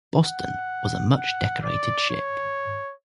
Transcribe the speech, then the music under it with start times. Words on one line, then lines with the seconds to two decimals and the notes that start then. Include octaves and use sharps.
"Boston" was a much-decorated ship.
0.24 F#5
1.17 F#5
1.63 D5
2.10 C#5